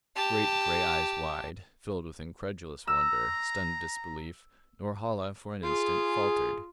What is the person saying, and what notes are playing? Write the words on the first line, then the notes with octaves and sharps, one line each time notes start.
Great gray eyes wide, filled with incredulous wonder, stunned disbelief, Norhala for an instant faltered.
G4 A5
A#5 E6
F4 G#4